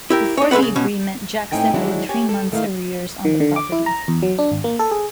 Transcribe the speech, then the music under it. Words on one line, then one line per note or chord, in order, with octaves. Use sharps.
Before the agreement, Jackson owed three months' arrears on the property.
E4 G4 A#4
D#4 C#5
G#3 A3 D4 B4 F#5
C#3
B2 C#4
A2 C4 D#4 G5 G#5
D#3 E3 F#3 G#3 D4 E4
G4 C#5 G#5
A4
G#2 D#3 A3 D#4 E4 F5
D#3
D3
D6
E4
A#5
E2
F#3
D4
G#1
A#3
A4
G#4